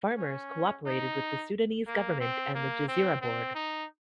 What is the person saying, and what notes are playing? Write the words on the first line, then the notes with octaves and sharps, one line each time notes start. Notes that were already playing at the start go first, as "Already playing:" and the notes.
Farmers cooperated with the Sudanese government and the Gezira Board.
C#4
D#4
A#3
C4
A#3
C4
C4
D#4